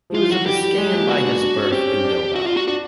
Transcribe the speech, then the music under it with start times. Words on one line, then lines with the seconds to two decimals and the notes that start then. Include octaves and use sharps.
He was a Biscayan by his birth in Bilbao.
0.10 F3
0.14 E3 F4
0.30 F#3 F#4
0.46 G3 G4
0.61 G3
0.78 G#3
0.93 A#3
1.09 B3 F#4
1.25 D4
1.41 D4
1.56 C#4
1.72 C4 G4
1.88 C#4
2.04 D4
2.35 F#4
2.47 F4
2.57 F#4
2.68 D4 F#4